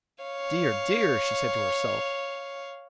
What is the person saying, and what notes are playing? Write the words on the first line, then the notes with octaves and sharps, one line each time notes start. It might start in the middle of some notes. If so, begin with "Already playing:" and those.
'Dear, dear!' she said to herself.
C#5 F5